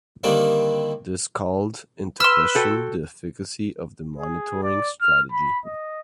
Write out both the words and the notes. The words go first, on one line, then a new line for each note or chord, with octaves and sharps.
This called into question the efficacy of the monitoring strategy.
D3 D#3 G3 A#3 C4 D4
B4 C6 E6 F6
F#4 A4 G5
G#4
D5
F6
B5
D#5